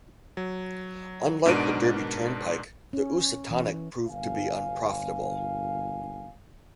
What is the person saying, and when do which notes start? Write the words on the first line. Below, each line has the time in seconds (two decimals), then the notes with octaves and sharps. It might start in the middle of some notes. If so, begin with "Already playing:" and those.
Unlike the Derby Turnpike, the Ousatonic proved to be unprofitable.
0.37 F#3
1.46 G#2 B2 D4 A#4 D7 D#7
2.93 C#4
3.51 E3
4.08 G1 A#2 F5 G#5